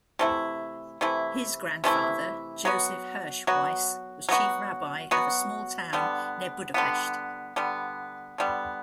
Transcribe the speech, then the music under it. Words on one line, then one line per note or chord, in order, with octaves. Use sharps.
His grandfather, Joseph Hirsch Weiss, was Chief Rabbi of a small town near Budapest.
C3 E3 A3 E4
C3 E3 A3 E4
C3 E3 A3 E4
F#3 B3 F#4
F#3 B3 F#4
F#3 B3 F#4
F#3 B3 F#4
D3 G3 B3
D3 G3 B3
D3 G3 B3
D3 G3 B3